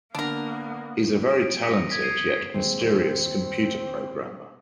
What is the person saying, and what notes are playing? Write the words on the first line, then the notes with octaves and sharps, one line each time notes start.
He's a very talented, yet mysterious computer programmer.
D3 A#3 B3 D4 A#4
D7
D#6 A#6 B6 C#7 D#7
G#6 B6
G#6 C7 D#7
D#2 G#3 C4